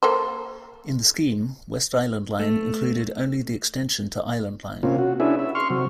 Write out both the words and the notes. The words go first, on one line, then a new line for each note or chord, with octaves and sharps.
In the scheme, West Island Line included only the extension to Island Line.
A#3 A4 C5
A3
C3 A#3 C#4 F4
F#4
C#4 D4 E4 G#4 B4 E5
E5
C6 C#6 F6
C3 F#3